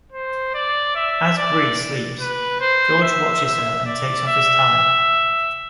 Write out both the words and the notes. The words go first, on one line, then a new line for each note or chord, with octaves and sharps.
As Bree sleeps, George watches her and takes off his tie.
C5
D5
E5
D5
B4
C5
E5
E5
D5
E5